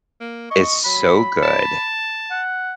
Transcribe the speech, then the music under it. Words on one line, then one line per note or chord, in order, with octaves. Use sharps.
is so good,
A#3
D#5 C#6
F#3 B5
A5
F#5